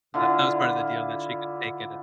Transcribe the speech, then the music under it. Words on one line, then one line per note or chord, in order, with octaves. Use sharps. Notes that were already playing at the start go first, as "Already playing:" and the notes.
So that that was part of the deal that she could take it and
D3 E4 F4